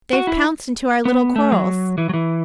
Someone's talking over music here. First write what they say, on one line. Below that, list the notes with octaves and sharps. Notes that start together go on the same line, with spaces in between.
They've pounced into our little quarrels....
F#4
E4
B3
A3
F#3
E3
F#3
E3